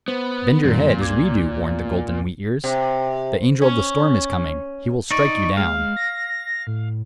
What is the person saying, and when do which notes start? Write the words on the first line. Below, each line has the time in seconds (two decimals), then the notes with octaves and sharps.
"Bend your head, as we do!" warned the golden wheat-ears; "the angel of the storm is coming; he will strike you down."
0.08 B3 C5
0.64 F#2 A#2 D#3 G3
1.00 C#2 D6 G#6
2.64 C3
3.62 C#4
5.11 D#4 D5 C#6
5.57 G#3 F5
5.96 A#6
6.67 A2